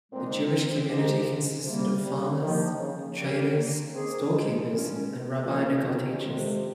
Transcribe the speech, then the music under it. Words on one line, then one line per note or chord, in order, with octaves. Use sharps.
The Jewish community consisted of farmers, traders, storekeepers, and rabbinical teachers.
A#2 G#3 C4 D#4
C4
F3 G#3 C4 D#4 G4
C3 G3 A#3
G3
C3 D#3 F3 A#3
C#3
C#3 G3 C4 G4 A#4
A#3
D#3 A#3 C4 C#4 G#4
G#3
G2 D#3 G#3 C#4
F2 D#3 F3 A#3 C#4
D#3
F2 C3 D#3 G#3